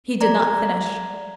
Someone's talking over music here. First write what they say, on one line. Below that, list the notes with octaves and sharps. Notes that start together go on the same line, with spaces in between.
He did not finish.
D5 A#5